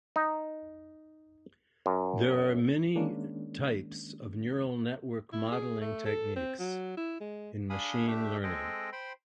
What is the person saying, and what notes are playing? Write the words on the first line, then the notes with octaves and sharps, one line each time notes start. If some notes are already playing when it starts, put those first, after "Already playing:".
There are many types of Neural Network modelling techniques in machine learning.
D#4
F#2
D#3 G#3 A#3 C#4 D4
E4
G#4
A3
A4
C4
F#3
E4
G#3
D4 G#4 F5 G#5 B5 D#6
A3 D4 G4 E5
G#3 C4 G#4 A4 D#5 G5
C5 G5 B5 C6